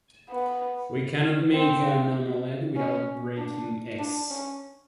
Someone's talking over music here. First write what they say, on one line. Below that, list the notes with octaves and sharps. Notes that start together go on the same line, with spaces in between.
We cannot make an omelette without breaking eggs.
B3
C4
C#4
D4
D4
C#4